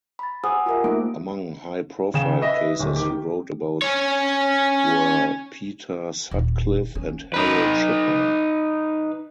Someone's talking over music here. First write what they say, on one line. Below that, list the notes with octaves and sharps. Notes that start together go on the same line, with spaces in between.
Among high profile cases he wrote about were Peter Sutcliffe and Harold Shipman.
B5 A6
G#4 C5 F#5 G#5 D#6 E6
F4 G4 G#4 A#4 C5 E5
A3 A#3 D#4 D7
C#3 G5 E7
B4 D#5 E5
D1
D#3 G4
C#4 C#5
D#1
C#4
D#4 B4